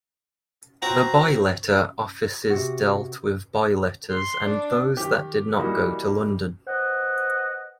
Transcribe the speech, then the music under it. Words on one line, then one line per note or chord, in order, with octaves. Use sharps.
The bye-letter offices dealt with bye-letters and those that did not go to London.
C4 F#4 A#5
C3 F#4
C6
D4
D#3 G4
E3 G3 A#3 D#4 F#4
B4 C5 D#5 F#5